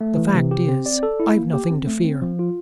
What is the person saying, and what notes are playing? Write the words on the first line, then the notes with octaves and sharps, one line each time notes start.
The fact is, I've nothing to fear.
A3
E3
C3
G4
C4
D5
A4
E4
A#3
G4
C4
A3
C4
F3
F4